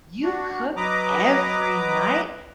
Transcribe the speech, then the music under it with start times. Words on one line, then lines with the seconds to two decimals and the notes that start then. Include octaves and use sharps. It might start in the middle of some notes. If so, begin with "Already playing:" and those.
"You cook every night?"
0.23 D4 F#4
0.77 F#3 B4 D#5 A#5 D6